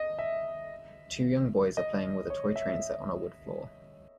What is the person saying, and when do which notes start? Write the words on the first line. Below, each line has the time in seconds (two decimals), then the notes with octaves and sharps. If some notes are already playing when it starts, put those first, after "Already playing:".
Two young boys are playing with a toy train set on a wood floor.
Already playing: D#5
0.19 E5
1.77 D#5
2.30 C#5
2.56 E5